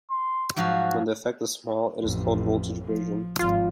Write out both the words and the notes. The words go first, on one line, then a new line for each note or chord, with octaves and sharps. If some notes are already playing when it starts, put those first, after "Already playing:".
When the effect is small, it is called voltage bridging.
C6
G#2 F3 F#3 F#4
A1 F2
F3
G#1 F3 F4